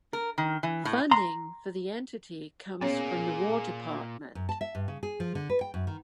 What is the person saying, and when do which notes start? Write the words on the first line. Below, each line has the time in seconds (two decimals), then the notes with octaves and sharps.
Funding for the entity comes from the War Department.
0.13 A#4
0.38 D#3
0.63 E3
0.85 A2
1.11 A#5 C6
2.81 A#2 A#3 B3 C#4 G#4 C#5
4.35 F#2
4.49 A5
4.61 E5
4.75 G2
4.88 C#3
5.03 G#4
5.20 F3
5.35 D3
5.49 B4
5.61 G5
5.74 F#2
5.87 D#3